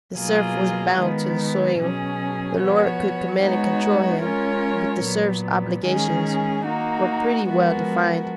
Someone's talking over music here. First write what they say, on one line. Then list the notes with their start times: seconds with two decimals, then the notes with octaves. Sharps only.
The serf was bound to the soil; the lord could command and control him; but the serf's obligations were pretty well defined.
0.15 B2 F#3 A#3 F4 G#4
0.97 D#3 G#3 B3
1.79 B2 F#3 C#4 G#4
2.59 F3 B3 F#4 C#5
3.41 G#3 B3 D#4 F#4 C#5
4.22 G#3 C#4 F4 A#4 C#5
5.03 A#2 F#3 B3
5.84 D#3 G#3 C#4 G#4
6.65 A#3 D#4 F#4
7.47 F3 G#3 B3 F#4 A#4